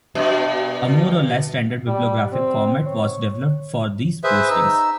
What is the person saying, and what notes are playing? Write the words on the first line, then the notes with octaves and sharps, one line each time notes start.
A more or less standard bibliographic format was developed for these postings.
G2 B2
G3
C4
C#5
G#4 B4 C5 E5
D#4 E6